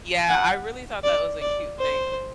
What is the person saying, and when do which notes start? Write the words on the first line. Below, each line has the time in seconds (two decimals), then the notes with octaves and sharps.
Yeah, I really thought that was a cute thing.
0.29 F#5
1.04 D5
1.42 D5
1.80 C5